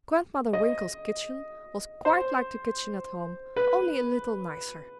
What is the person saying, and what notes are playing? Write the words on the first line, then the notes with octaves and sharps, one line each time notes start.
Grandmother Winkle's kitchen was quite like the kitchen at home, only a little nicer.
D#5
C5
B4